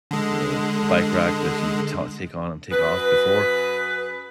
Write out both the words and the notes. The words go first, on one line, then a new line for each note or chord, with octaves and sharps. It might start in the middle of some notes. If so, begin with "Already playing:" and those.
you know, bike rack that you ta take on and take off before,
D3 G#3
F#2 G#4 B4